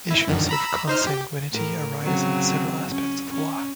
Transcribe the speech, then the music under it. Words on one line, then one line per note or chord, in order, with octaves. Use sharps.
Issues of consanguinity arise in several aspects of the law.
E4
F#2 D3 D#3
A#5 B5 E6
D#4 C5 F6
G4
A2 A#4
C#3 F#3 C4
C#4
C#4